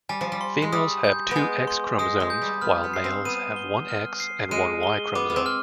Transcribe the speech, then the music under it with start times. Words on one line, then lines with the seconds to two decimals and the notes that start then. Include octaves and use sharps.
Females have two X chromosomes, while males have one X and one Y chromosome.
0.09 G3 G#5
0.21 F3
0.32 G3
0.41 C6
0.62 G#3
0.72 G3 D#6
1.04 G6
1.31 G#3 B3 G#5
1.67 C6
1.99 G#3 D#6
2.20 G#3
2.30 G6
2.42 G3
2.61 B3 F6
2.84 B3
2.94 C7
3.04 C4
3.25 B3 D#7
3.56 G7
3.89 F6
4.20 C7
4.51 G#3 D#7
4.83 G7
5.15 B3 D6
5.30 B3
5.36 C4
5.46 F6